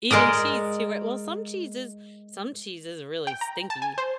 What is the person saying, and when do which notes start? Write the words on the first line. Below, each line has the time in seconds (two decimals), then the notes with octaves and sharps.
Even cheese too, right? Well, some cheese is some cheese is really stinky.
0.11 G#3 G#4 A#4 D5 D#5
3.27 G5
3.41 A#5
3.70 A5
3.82 G#5
3.98 C5